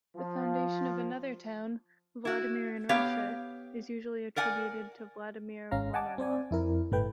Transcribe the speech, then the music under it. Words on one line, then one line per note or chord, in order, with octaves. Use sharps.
The foundation of another town, Vladimir in Russia, is usually attributed to Vladimir Monomakh.
F3
E4 F#4
B3 G4 C#5 F5
A#4 D5 F#5 G#5
G#1 C#4 F5 A#5
D#5 F#5 G#5 A5 D6
C4 C5 D5 G#5
F2 E4 A#4
G1 A2 A3 B4 G5